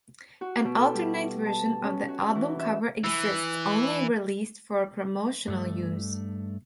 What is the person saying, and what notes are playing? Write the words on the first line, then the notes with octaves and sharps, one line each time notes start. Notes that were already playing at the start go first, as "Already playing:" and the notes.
An alternate version of the album cover exists, only released for promotional use.
F#4
B2
A4
G3
A5
C#4
F#4
E3
E5
E3
G2 A3